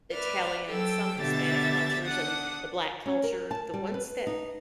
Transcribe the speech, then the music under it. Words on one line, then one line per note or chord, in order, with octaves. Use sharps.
Italian and some Hispanic cultures and the Black culture, the ones that
B4 D5 E5 F6
F#3 A4 G5 E6
B2 D3 G4 E5 A6
D4 F#5 D#6
C#4
A#4
A5
G3
B4
D#4